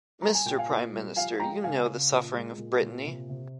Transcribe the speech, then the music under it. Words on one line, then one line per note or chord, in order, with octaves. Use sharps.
Mister Prime Minister, you know the suffering of Brittany.
G3 A#5
G#5
A#2 G5
F5 G#5
A#2
G3
F3 F5 G#5
G#3 G5 A#5
C#3 F5 G#5
C#3
A#2
G#3
A#2
A#2
C3
C3